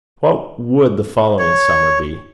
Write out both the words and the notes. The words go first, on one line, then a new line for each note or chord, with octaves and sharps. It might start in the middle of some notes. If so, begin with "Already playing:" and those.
What would the following summer be?
C#5